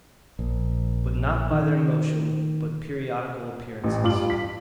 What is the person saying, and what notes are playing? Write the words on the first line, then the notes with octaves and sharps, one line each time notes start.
But not by their Motion, but periodical Appearances.
A#1
D#3
A1
G2 F4 D6 F#7
B6